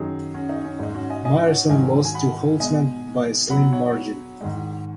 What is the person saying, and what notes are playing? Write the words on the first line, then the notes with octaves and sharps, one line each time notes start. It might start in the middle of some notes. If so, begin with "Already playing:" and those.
Myerson lost to Holtzman by a slim margin.
Already playing: F#2 D#3 F#3 D#4 G#4
C#4 F#4
D#4
C#4
G#2 G#3 D#4
C#4 F#4
D#5 G#5
D#5 G#5
C#5 F#5
G#2 D#3 F#3 D#5 G#5
G#5
F#5 B5
B2 G#3 D#5 G#5
B2 F#3 F#5 B5
C#5 F#5
G#2 D#3 G#3